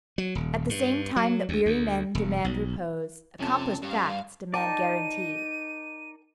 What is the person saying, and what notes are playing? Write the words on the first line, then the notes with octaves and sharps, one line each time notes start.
At the same time that weary men demand repose, accomplished facts demand guarantees.
F#3
D#1
G2
F#3
D2
D2
E1
B1
F2 C3 C#4 A5
G2 G3 F5
D#4 A#4 D5 G5 A5 D#7